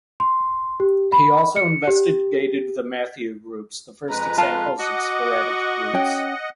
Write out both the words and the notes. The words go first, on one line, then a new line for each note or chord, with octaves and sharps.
He also investigated the Mathieu groups, the first examples of sporadic groups.
C6
G4
B5
C#7
G4
F2 G#3 B4 A#5
F4 A5
F#4 D#5 F#5 D6
C#4 G5